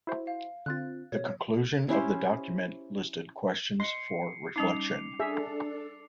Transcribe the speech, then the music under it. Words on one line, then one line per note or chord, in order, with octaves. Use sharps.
The conclusion of the document listed questions for reflection.
E4 F#4 C5
F5
D3 C4 F4 F#6 A6
B2 C#5
C#4 E4 G4 C5
D#5 C6 C7 C#7
G3 C#4 D#4 D6 C7 F7
D4 G#4 A4 E5